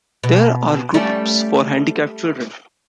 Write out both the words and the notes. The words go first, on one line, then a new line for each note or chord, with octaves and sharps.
There are groups for handicapped children.
B2
G3 A3 C#4